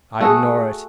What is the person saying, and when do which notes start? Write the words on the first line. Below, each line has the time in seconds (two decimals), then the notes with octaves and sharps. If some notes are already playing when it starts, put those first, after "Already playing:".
I ignore it.
0.21 A3 F#4 G#4